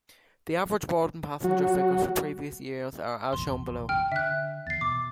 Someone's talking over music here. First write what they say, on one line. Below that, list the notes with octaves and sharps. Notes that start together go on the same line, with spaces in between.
The average boarding passenger figures for previous years are as shown below.
F#3 F#4
F1 A#1 E2 C6
G5 F6
D3 E5 F#6
E2 A6 C7
B2 D6